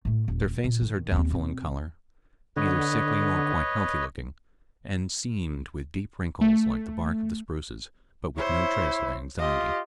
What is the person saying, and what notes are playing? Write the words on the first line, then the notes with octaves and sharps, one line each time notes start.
Their faces are doubtful in color, neither sickly nor quite healthy-looking, and seamed with deep wrinkles like the bark of the spruces, but with no trace of anxiety.
A2 A3
D#1
A#2
D#3
D#2 C4
B2 C4
D3 B4 C#5 D#5
A3
E4 C5 C#5
F4 G4 D#5